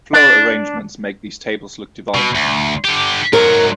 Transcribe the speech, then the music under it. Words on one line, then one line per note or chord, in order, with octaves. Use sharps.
Floral arrangements make these tables look divine.
D4
B2
D2
D3 G4
G#2 F#3 A#4